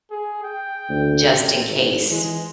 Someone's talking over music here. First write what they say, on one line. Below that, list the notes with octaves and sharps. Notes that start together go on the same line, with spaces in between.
just in case
G#4
G5
D2
A1
G#1
E3 G#3